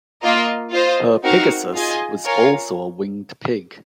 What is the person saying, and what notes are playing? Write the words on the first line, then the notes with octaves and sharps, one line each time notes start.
Her Pigasus was also a winged pig.
A#3 F4 A#4 D#5
F4 C5 D#5
C4 D#4 F#4 A#4 F5
F4 G#4 D#5 G#5
F4 A#4 C#5 F5 G#5